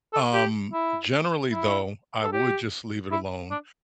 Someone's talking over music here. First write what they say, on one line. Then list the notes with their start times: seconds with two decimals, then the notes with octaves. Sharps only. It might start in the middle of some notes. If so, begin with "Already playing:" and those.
um, generally though, I would just leave it alone,
0.13 A4
0.33 G4
0.73 E4
1.53 E4
2.22 A4
2.32 G4
3.12 E4
3.51 D4